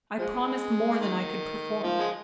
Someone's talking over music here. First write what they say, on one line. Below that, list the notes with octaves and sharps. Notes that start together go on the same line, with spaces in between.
I promised more than I could perform.
F3 G#3
D#3
F3
G#3